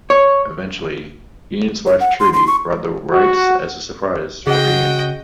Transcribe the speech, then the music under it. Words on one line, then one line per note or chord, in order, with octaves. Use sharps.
Eventually, Ian's wife Trudi bought the rights as a surprise for Ian.
C#5
C#5
F#5
C6
C6
C#6
F#4
C#3 F#4 G#4 D#5 F#5 G5